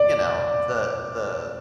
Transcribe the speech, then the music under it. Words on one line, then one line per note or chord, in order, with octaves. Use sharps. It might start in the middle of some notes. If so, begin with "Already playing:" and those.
you know, the the
Already playing: D5